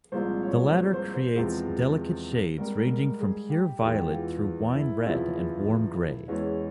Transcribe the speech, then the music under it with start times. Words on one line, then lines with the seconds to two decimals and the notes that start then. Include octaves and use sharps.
The latter creates delicate shades ranging from pure violet through wine-red and warm grey.
0.12 C2 A#2 F3 G#3 C5
0.43 C#5
0.74 C5
0.93 C5
1.14 C5
1.35 E2 C3 F3 G#3
2.58 G#2 G3 A#4
2.89 A#4
3.20 G#4
3.50 G4
3.81 E2 E3 G#3 G4
4.12 F4
4.74 E4
5.04 E2 C#3 F3 E4
6.28 E2 E3 G#3 C#4